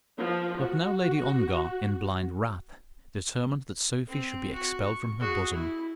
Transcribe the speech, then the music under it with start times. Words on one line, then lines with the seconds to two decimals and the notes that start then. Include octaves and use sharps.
But now Lady Ongar, in blind wrath, determined that Sophie should be expelled from her bosom.
0.18 F3
0.60 F#4
4.08 C4
4.54 F#4
4.84 C#6
5.20 F#4 G#4
5.53 E4